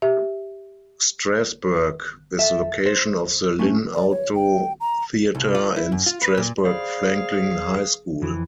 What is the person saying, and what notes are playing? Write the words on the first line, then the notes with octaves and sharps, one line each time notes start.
Strasburg is the location of the Lynn Auto Theatre and Strasburg-Franklin High School.
G4 E5
A4 E5
C5
A3 C#4
D5
C#5
G5
A#5
C2
F4
E4
F#2
F4
B4
A#2
G#4 C5 D5 F5 B5
F2 E3